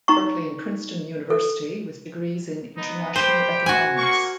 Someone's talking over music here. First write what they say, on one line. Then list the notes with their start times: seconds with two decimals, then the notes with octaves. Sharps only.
Berkeley and Princeton University with degrees in international economics.
0.08 D#4 A#5 C#6
1.30 A4
2.76 B3 D#4
3.16 G4 B4 C5 G5
3.66 F#4 G#5
3.97 A#3 F#5 C#6